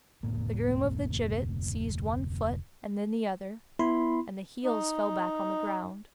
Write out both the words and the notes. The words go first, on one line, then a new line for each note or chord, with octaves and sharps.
The groom of the gibbet seized one foot and then the other, and the heels fell back on the ground.
F1 D2 A2 A#3
B3 E4 B5 C6
D#4